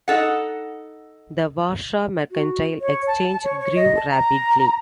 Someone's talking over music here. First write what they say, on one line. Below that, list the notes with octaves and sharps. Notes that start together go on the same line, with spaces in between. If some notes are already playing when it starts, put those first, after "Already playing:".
The Warsaw Mercantile Exchange grew rapidly.
D#4 A4 F#5
F#4
C#5
A5
C#5
C#5
D#5
A5
A#5